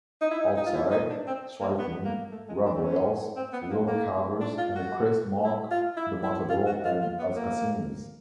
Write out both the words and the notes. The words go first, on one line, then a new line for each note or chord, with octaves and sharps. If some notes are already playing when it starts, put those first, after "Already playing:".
Outside, striping, rub rails, wheel covers and a crest mark the Matador as Cassini's.
D#4
E4
D#4
D#4
F4
E4
D#4
D4
C4
A#3
B3
A#3
A3
G#3
D4
C4
C#4
C4
B3
A#3
A#3
D4
F4
F#4
E4
F4
E4
E4
F4
F#4
F4
F4
B3
A#3